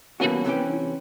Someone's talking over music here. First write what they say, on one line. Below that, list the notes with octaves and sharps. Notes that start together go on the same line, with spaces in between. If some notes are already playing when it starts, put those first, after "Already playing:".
Yep, mhm.
G2 B2 E3 A#3 C#4 F#4
C3 E3 A3 C#4 G4 G5